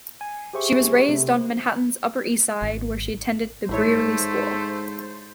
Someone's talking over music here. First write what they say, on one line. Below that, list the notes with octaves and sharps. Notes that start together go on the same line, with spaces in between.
She was raised on Manhattan's Upper East Side, where she attended the Brearley School.
G#5
G4 G#4 C5 E5 C#6
C3 A3
C5
G#1
A1 G#2 A3 E4 C5 C#5